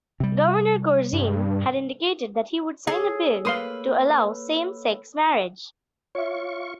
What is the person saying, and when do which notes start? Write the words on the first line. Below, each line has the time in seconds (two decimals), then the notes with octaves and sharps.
Governor Corzine had indicated that he would sign a bill to allow same-sex marriage.
0.20 C3 G3
1.13 G2
2.87 G#4 A4 C#5 E6
3.45 A#3 B4 F5 C6 D#6
6.15 F4 C#5 E5 C#6